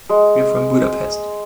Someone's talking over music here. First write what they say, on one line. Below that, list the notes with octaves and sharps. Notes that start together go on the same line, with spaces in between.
We’re from Budapest.
G#3